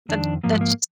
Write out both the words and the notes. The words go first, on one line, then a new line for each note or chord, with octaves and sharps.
That that's just
F2 D#3 D4
G#2 F3 A#3
G#3
A#3